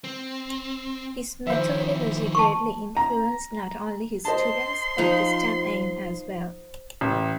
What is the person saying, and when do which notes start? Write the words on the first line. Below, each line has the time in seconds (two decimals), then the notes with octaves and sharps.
His methodology greatly influenced not only his students, but the stammaim, as well.
0.04 C4
1.47 D#3 F3 C5 E5
2.35 A5 C#6
2.97 A#5
4.25 C5 D#5 A5 C6
4.98 F3 D#4
7.01 A1